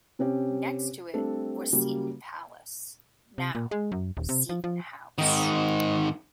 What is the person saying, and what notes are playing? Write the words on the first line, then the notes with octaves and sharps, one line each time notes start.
Next to it was Seton Palace, now Seton House.
C3 C4 C#4 G4
G3 A3 C4 D4 A4
C#3 F#3 G3 A#3
C3
A#2
G#3
F#2
D#1
C3
F3
F3
G#2 D#3